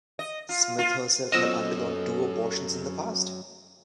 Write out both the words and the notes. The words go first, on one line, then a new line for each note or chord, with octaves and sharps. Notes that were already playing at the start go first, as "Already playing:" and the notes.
Smith herself had undergone two abortions in the past.
D#5
F4
F4
F#3 B3 C#4 F4 A4 C5 D#5 E6